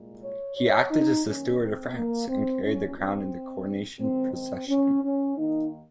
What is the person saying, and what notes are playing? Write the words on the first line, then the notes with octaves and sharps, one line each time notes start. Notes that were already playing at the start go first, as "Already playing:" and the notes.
He acted as Steward of France, and carried the crown in the coronation procession.
Already playing: C2 A#2 G#3
C#5
C#5
D#4
F#2 D#3 A#3 C#4
C4
A#3
C4
C2 A#2 F#3 C#4
C4
F#2 D#3 G#3 C4
C4
C#4
C#4
D#2 D#3 A#3 D#4